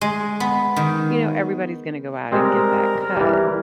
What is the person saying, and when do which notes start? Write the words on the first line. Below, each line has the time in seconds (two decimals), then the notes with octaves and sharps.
everybody's gonna go out and get that cut.
0.01 G#3
0.40 B3
0.76 D#3
2.32 G3 G#3 C4 A#4
3.17 E3 G3